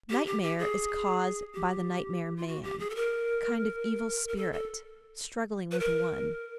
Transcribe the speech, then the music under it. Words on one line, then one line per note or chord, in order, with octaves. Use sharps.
Nightmare is caused by the nightmare man, a kind of evil spirit, struggling with one.
G4
G4
G4
G#4
G4
F4
F#4
G4
G#4
A4
A#4
A#4
A4
A4
B4
A#4